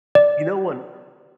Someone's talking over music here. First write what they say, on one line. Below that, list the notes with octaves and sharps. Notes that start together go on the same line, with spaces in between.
You know, one
D5